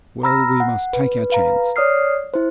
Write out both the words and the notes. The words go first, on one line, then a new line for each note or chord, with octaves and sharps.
'Well, we must take our chance.
A#5 B5 E6 F6 A#6
F#5
B4
B4 F5 A#5
C#5 D5 D#6 F6 C7
E4 C5